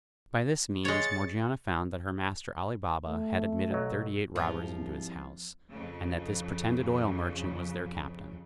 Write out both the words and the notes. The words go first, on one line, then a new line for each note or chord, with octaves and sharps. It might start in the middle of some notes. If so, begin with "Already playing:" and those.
By this means Morgiana found that her master Ali Baba had admitted thirty-eight robbers into his house, and that this pretended oil merchant was their captain.
G#3 C#5 A6 C#7
A3
B1 F#3
C2 G#2 F3
F2 C#3